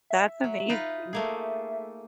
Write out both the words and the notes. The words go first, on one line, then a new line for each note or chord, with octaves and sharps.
That's amazing.
E5
F#3
D#4 F4 B4
A3 A#3 G#4